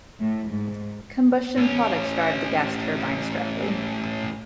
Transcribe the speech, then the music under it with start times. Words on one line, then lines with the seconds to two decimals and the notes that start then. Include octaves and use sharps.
Combustion products drive the gas turbines directly.
0.19 A2
0.51 G#2
1.57 A2 C#4